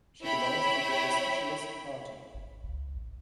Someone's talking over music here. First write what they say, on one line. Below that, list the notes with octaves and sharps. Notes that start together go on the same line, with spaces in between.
She belongs to the Justicialist Party.
E4 C#5 G5 B5
G#1
C#2
A1